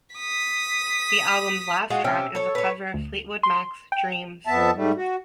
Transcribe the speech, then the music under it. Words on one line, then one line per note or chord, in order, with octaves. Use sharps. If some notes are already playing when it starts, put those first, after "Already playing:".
The album's last track is a cover of Fleetwood Mac's "Dreams".
D#6 B6
G#3 F4 F#4
C3 C#4 G4 E5
A4 C#5
B4 C#5
D2
C6
G5
F2 B3 E5 A5
G#2 G3 A3
F#4